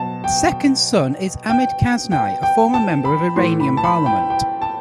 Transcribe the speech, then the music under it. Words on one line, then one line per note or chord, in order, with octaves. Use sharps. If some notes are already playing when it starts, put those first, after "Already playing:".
His second son is Ahmad Kashani, a former member of Iranian parliament.
Already playing: B2 F#3 A5
G5
G5
G5
G5
A5
B5
A2 E3 C6
B5
A5
B5
G5
G5
A5